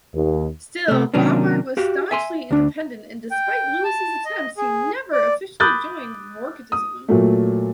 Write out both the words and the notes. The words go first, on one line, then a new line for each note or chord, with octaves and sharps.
Still, Bomberg was staunchly independent and despite Lewis' attempts he never officially joined Vorticism.
D#2
C3 A3
C3 D#3 F#3 A#3 C#4 D4
F#4 G4 F5
E5 G#5 C6
D2 D4
G5
A5
D#5
G#4
D5
B5 D6 D#6 F#6 G6 A6
D#6
A#2 F#3 A3